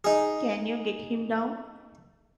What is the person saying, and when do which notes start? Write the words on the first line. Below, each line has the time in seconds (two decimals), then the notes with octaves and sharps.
Can you get him down?
0.04 D#4 G#4